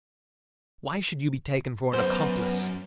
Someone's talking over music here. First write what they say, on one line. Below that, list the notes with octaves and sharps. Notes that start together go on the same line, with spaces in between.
"Why should you be taken for an accomplice?"
F#2 B3 C5